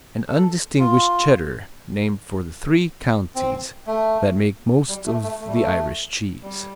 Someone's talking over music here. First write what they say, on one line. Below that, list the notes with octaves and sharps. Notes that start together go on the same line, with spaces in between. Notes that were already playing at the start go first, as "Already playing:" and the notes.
An undistinguished Cheddar named for the three counties that make most of the Irish cheese.
A4
F4
C4
A3
G3
A3
A3
A3
G3
A3
G3